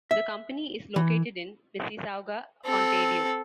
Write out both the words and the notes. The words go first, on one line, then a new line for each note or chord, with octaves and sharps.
The company is located in Mississauga, Ontario.
E5
E3
C4 A4